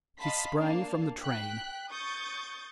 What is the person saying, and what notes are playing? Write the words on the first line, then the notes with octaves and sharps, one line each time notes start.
He sprang from the train.
D#5 F5 A5 B5 C6 B6
A#3 D4 F5 A5
G5 F#6 B6
C#6 D#6 G6 A6